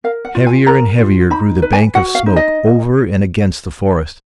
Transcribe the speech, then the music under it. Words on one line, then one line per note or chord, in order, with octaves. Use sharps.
Heavier and heavier grew the bank of smoke over and against the forest.
A#4 F5
F#5
F4
G#5
A#4 A#5
F4
D#4 B5
B4
G#5
F#4 F#5
F5
D#4
D#5